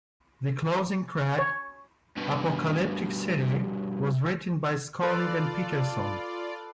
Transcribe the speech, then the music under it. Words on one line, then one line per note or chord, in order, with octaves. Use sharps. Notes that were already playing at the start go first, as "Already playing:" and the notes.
The closing track, "Apocalyptic City", was written by Skolnick and Peterson.
C#5
G2 B2
F4 A4 B4 D5